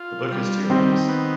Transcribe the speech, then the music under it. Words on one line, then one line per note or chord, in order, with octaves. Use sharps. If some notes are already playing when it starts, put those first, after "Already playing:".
The book has two aims.
Already playing: F4
G3
D#3 C4
B3